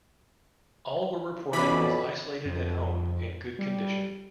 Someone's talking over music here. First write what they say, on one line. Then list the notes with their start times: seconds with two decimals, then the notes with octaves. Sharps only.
All were reported as isolated at home in good condition.
1.53 F2 B2 E3 C#4 D5 B5
2.45 F2
3.59 G3